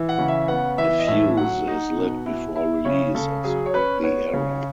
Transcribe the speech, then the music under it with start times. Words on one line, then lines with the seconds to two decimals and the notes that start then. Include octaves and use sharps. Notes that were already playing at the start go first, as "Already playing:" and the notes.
A fuse is lit before release of the arrow.
Already playing: E3
0.09 F#5
0.18 C#3
0.28 E5
0.48 B3 F#5
0.78 E3 E5
0.99 D#5
1.07 A2 E5
1.37 F#3 F#5
1.67 D#4
1.97 B2
2.26 E4
2.56 E4
2.85 C#3 C#5
3.14 C#3 A4
3.44 F#3 G#4
3.66 C#5
3.74 C#4 B4
4.03 B3 C#5
4.33 C#3